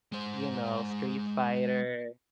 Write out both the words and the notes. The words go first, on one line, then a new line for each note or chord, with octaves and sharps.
you know, Street Fighter,
G#3 C5